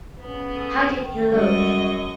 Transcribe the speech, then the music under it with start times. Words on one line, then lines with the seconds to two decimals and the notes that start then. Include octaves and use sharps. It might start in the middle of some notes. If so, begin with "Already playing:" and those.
How did he look?
0.21 C#3 B3
0.56 A4 D#6
0.99 D#3
1.32 F#2 G3 G#3 A4 D5 D#5 C#6